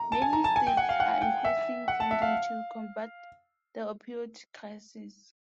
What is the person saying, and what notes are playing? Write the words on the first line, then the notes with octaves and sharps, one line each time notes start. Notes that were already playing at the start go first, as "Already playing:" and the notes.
Many states are increasing funding to combat the opioid crisis.
Already playing: A#5
A5
G#5
A#5
A5
G#5
G5
F#5
F5
F#5
G5
E5
F#5
A5
E5
F5